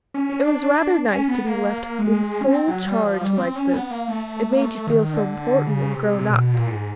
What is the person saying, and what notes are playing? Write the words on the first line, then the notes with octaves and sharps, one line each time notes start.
It was rather nice to be left in sole charge like this--it made you feel so important and grown-up.
C#4
C#4
D4
C4
C#4
B3
B3
A#3
G#3
C#4
C4
F#3
G3
F3
G3
C4
C4
C#4
B3
A#3
A3
A#3
A3
D#3
D3
C#3
C3
C3
A#2
B2
A#2
A2
G#2